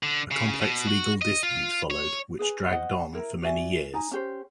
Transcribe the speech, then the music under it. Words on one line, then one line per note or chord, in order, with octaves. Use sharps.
A complex legal dispute followed, which dragged on for many years.
D3
C#3
B2
F#4
D#5
F4
C#5
G#4 B4 G#5
C5 D#5 F#5
E4 A#4
F#4 D5 E5 G#5
D#4 G#5 A#5
C#4 G4 C5